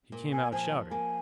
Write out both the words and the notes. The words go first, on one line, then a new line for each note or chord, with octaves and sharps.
He came out shouting.
A#2
G#5
F3 G#5
A#3 G#5